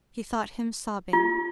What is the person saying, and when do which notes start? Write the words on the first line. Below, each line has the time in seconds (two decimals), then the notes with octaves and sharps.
She thought him sobbing.
1.13 F4